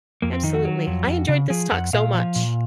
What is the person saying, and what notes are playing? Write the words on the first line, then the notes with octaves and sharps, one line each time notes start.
Absolutely. I enjoyed this talk so much.
F2 A#3
C4
D#3 D#4
F#4
F#3
F2
F2
C#3
F3 G#4
F2 F#5
A#2 F5
F3
A#2